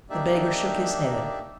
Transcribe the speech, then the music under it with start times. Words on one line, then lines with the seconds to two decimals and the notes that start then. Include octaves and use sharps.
The beggar shook his head.
0.10 A#3 D4 D#4 G4 D5 E5